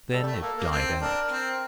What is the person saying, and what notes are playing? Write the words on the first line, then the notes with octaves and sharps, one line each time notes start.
Then it died out.
G3 A4
G3
A3
A#3 A4
A#3
C4 A4
D4 A#4
C4